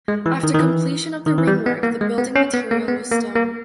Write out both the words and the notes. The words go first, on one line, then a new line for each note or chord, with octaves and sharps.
After completion of the ringwork, the building material was stone.
G#3
E3
D#3
D#3
E3
D#3
E3
G3
B3
A#3
G#3
B3
C#4
B3
A#3
B3
A#3
A#3